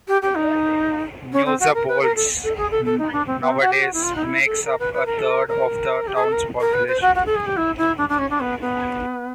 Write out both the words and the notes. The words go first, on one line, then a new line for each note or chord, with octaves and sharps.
Neugablonz nowadays makes up a third of the town's population.
G4
G4
D#4
C#4
C4
F#4
A#4
B4
A#4
A4
A4
G#4
A4
A4
D#4
D4
C4
B3
C4
F#4
G4
F#4
E4
F4
D#4
E4
A4
A#4
B4
B4
A#4
A4
A#4
A#4
G4
G#4
A4
A#4
A#4
B4
C5
F#4
F#4
A4
G#4
G4
E4
E4
D4
D4
C#4
D4
B3
B3